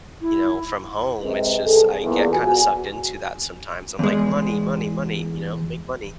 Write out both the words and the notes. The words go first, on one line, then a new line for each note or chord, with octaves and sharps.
you know, from home. It's just I get kinda sucked into that sometimes. I'm like, "Money, money, money," you know, "make money."
E4
C3 G#3 C4 A#4 B4
C2 G#4 A4
E2 A#2
F#4 G#5
E2 G#3